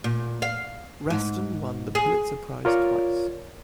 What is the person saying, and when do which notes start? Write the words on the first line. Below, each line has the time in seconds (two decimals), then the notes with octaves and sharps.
Reston won the Pulitzer Prize twice.
0.04 A#2
0.42 F5
1.10 G#2
1.95 G#4
2.65 F4 A#4 C#5 D5